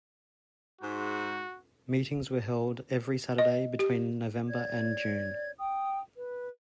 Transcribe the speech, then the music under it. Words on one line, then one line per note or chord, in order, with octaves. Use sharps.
Meetings were held every Saturday between November and June.
G#2 F#4
D#5
G4
C#5 D5 G#6
G5 D#6
B4